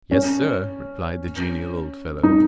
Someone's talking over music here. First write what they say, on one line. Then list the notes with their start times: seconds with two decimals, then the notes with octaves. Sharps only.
"Yes, sir," replied the genial old fellow.
0.11 C#4
2.23 D#4